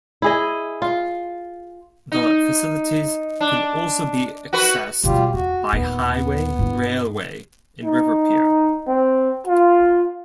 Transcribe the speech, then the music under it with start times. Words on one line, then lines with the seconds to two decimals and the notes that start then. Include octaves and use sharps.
The facilities can also be accessed by highway, railway and river pier.
0.22 E4 G#4 D#5
0.82 F4
2.12 D#4
3.41 D4
4.53 F#4 B4
5.04 B2 G3 C4 F4 G4
5.34 E2 F#4
5.73 D#2 A#2 B3
6.59 G2 E4
7.84 D#4
8.87 C4
9.47 F4